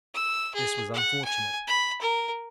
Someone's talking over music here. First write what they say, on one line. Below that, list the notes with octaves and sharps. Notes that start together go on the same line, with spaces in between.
This was unfortunate.
E6
G#4
F#5
G#5
B5
A#4